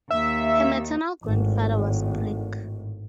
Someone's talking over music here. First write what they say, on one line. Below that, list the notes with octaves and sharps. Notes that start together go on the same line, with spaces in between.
Her maternal grandfather was Brig.
D#2 E5
G#1 A2